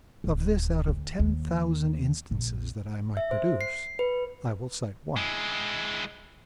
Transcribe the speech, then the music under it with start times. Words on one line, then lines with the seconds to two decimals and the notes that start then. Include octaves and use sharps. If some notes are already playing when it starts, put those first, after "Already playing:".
Of this out of ten thousand instances that I might produce, I will cite one.
0.24 D1
0.88 D2
1.19 D#2
2.31 A#1
3.17 E5
3.31 C5
3.61 C7
3.99 B4
5.16 G#3 E4